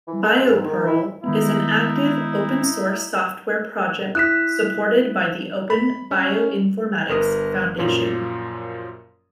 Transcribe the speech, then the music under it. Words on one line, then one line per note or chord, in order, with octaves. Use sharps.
BioPerl is an active open source software project supported by the Open Bioinformatics Foundation.
E3
G#3
G#2
D#3
E4
D#3 G#3 B3 D#4 E4
E4 D#6 F#6 B6 E7
B5
C#4
G1 A#4 D#6
F#2 A#2 F3 C#4